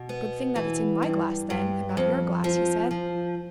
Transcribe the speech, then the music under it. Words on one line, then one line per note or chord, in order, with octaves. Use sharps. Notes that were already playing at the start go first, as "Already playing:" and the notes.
"Good thing that it's in my glass then, and not your glass," he said.
Already playing: B2
B3
E3
G2
G2
F2
F3
F3